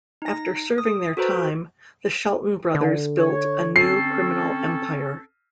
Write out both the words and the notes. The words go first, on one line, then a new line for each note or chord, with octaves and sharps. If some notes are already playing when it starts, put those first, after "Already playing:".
After serving their time, the Shelton brothers built a new criminal empire.
D#4 A#6
D#6
F#4 A4 B4 C5 A#5
D3
C#5
C4 C#4 A4 C7